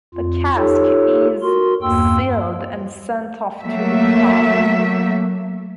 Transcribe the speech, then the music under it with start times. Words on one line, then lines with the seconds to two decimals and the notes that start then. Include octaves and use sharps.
The cask is sealed and sent off to the pub.
0.15 F2 F4
0.56 D#4 F4 G4 A4 C#5
1.42 F#4 A#4 C6
1.82 E2 G2 A#3 G5 C6 E6
3.62 F#3 A3 A#3 E5